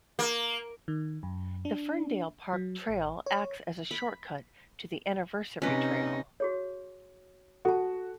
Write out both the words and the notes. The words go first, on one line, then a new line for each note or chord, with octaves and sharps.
The Ferndale Park Trail acts as a short cut to the Anniversary Trail.
A#3
D#3
F#2
D4
F#3
A1
C#5
B5
C3 C#4 D#4 B4
F#4 G#4 C#5
F#4 A4 A5